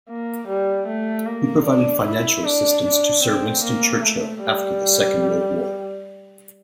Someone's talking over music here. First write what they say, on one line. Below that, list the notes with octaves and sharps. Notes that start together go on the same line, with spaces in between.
He provided financial assistance to Sir Winston Churchill after the Second World War.
A#3
G3
A3
A#3
D4
E4
D4
D4
C4
A#3
A3
G3